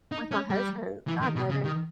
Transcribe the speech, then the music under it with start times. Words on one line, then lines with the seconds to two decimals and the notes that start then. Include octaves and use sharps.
with my husband, I love him,
0.12 D#4
0.31 C#4
0.50 G3
1.08 E3
1.22 D#3
1.36 B2
1.50 C#3
1.65 D#3